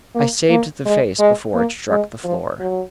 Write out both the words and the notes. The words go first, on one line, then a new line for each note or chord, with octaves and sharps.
I saved the face before it struck the floor.
A#3
A#3
G#3
G#3
A#3
G#3
F3
F#3